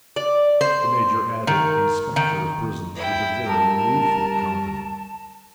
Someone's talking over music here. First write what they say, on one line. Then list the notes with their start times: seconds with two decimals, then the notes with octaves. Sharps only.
The Major added "Inspector of Prisons," with a very rueful countenance.
0.16 D5
0.61 C5
1.47 D#3
2.16 D#3
2.95 E4 G5
3.47 G3 A#4 A5